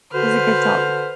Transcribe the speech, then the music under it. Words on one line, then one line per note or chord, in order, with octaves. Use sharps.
It was a good talk.
D3 F#4 B4 C5 F6